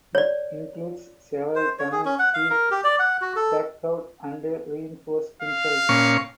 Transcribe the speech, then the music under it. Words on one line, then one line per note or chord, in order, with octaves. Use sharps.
It includes several tunnels Heist dug out and reinforced himself.
C#5 D5
C5
C#5
G#4
C#4
F#5
F5
A#4
G4
D5
F#5
F#4
A4
F5
A#2 C#4 C#6